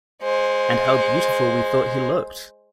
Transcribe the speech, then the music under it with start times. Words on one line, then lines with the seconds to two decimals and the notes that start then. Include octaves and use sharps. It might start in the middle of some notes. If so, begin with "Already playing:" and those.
And how beautiful we thought he looked!
0.22 G#3 C5